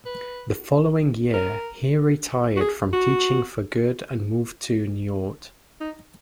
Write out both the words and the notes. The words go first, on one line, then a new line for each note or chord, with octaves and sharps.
The following year, he retired from teaching for good and moved to Niort.
B4
A#4
F#4
G#4
F#4
D#4